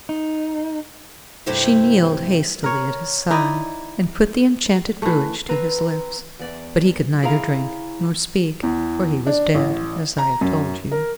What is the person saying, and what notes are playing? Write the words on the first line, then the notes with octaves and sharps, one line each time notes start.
She kneeled hastily at his side, and put the enchanted brewage to his lips, but he could neither drink nor speak, for he was dead, as I have told you.
D#4
G2 C3 A3 E4 C5 E5
A#4 C#5
D#4 E4 D5 D#5
E3 A3
C4 B4 A#5
E2 D5
E4 G#4 C#5 F5 A#5
E2
D4
A1
A#5
F#2
A#4